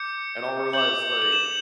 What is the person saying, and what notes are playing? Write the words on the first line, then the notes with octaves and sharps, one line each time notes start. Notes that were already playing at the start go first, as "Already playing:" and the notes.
and I'll realize, like
Already playing: D6 G6 C#7
D6 G6 F#7
F#7
E7